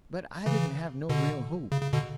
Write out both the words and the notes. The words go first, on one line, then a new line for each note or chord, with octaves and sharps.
But I didn't have no real hope.
C#3 E3
B2 D3
C#3
C#3
B2 D3